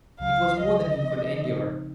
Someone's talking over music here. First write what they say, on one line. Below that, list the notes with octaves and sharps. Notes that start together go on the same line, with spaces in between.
It was more than he could endure.
C#2 C#3 F#3 F5
C#2 C#3 F#3 D#5
C#3 F3 C4 D#4
C#3 F3 C4 D#4